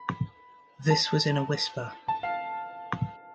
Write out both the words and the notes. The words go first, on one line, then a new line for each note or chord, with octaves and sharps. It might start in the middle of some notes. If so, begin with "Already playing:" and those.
This was in a whisper.
Already playing: B5
A5
A5
F5